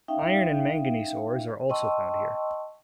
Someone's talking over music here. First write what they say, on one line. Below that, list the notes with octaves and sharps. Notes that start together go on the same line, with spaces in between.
Iron and manganese ores are also found here.
C#4 D#4 E5 F5 G5
D#5 G5 A5 C6 C#6 E6